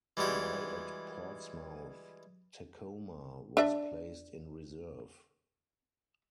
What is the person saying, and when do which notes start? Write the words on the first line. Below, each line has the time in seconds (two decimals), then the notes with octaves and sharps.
While at Portsmouth, "Tacoma" was placed in reserve.
0.17 E3 G3 G#3 F#4 G5
3.57 D4 D5 E5